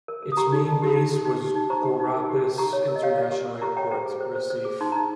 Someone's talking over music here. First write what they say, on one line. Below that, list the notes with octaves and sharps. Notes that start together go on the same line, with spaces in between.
Its main base was Guararapes International Airport, Recife.
A#4
A#4
D#6
G4 A#5 C#6
D#4
D#4
G4
D#4
G4
D#4
G4
D#4
C5 A#5 C#6
G4
D#4
A#4
G4
G4
G4 A#5 C#6
C#5
A#4
D#5
G4 C#5 F5
C#5
G4
A#4
G4 A#5 C#6
C#5 G5 A#5
C5 G5 A#5
G#4
C5
C5
C5
G#4
D#4 C6
D#4 A#5